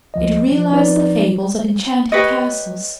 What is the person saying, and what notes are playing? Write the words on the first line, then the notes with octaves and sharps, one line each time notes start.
It realized the fables of enchanted castles.
C#2 F3 D#5
F3
F3 C4 D#4 B4 D5
G4 B4 C#5 D#5